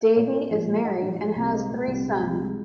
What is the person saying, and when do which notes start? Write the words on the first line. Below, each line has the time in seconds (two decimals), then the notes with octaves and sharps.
Davie is married and has three sons.
0.16 A#2 A#4 C#5
0.33 A#2 A#4 C#5
0.51 F3
0.67 A#2
0.84 G#3 D#5 F#5
1.02 F3
1.19 F3
1.36 C2
1.53 G#3 C5 D#5
1.71 A#2
1.87 C2
2.05 G#3
2.22 C2
2.39 G#3